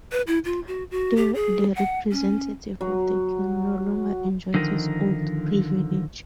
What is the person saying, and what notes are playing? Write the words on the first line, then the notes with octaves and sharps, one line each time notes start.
The representative of the king no longer enjoys his his old privilege.
B4
E4
F4
F#4
F#4
G4
G#4
F#5
C#4
F#3
D3 D#3 F3 D#4 A#4